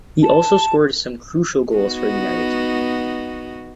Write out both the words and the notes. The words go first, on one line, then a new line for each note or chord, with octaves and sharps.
He also scored some crucial goals for United.
A5
B3 D#4 F#4